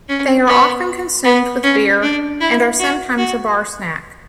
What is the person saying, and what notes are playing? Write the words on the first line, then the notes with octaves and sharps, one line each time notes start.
They are often consumed with beer and are sometimes a bar snack.
C#4
B3
B3
C#4
D4
E4
F#4
F#4